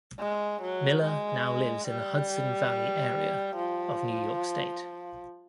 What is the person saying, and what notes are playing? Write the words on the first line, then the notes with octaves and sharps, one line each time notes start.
Miller now lives in the Hudson Valley area of New York state.
G#3
F#3
G#3
G3
F3